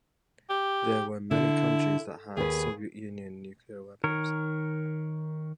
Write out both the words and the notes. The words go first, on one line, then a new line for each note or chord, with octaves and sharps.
There were many countries that had Soviet Union nuclear weapons.
G4
D3 E4
D#2 G#4 B4
D#3 A#4 C#5